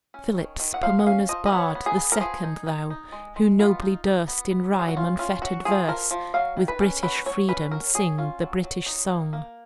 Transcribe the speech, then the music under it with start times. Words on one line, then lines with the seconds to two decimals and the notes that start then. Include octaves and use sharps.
"Phillips, Pomona's bard, the second thou Who nobly durst, in rhyme-unfettered verse, With British freedom, sing the British song."
0.14 C#4
0.37 D#3
0.60 D#3
0.74 F#5
0.83 F3 F5
0.99 F#5
1.06 C#4 F5
1.29 F3 D#5
1.46 D#5
1.52 B3 C#5
1.75 B3
1.86 G#4
1.97 B3
2.12 A#4
2.20 F3 G#4
2.44 D#4
2.67 D#4
2.90 D#4
3.12 G#3
3.36 G#3
3.59 B3 F4
3.82 D#4
4.04 D#4
4.28 B3
4.51 B3
4.73 F#3
4.79 G#4
4.88 F#4
4.96 C#4 F4
5.19 C#4 F4
5.42 F#3 F#4
5.65 F3 G#4
5.88 F3 A#4
6.11 F3
6.34 F#3 F5
6.57 D#3
6.68 B4
6.80 C#4
7.03 F#3 B4
7.26 F#3 C#5
7.49 C#4 B4
7.71 F#3 A#4
7.94 F#3 G#4
8.18 C#4 F4
8.40 F#3
8.64 F#3
8.86 D#4
9.09 A#3
9.33 A#3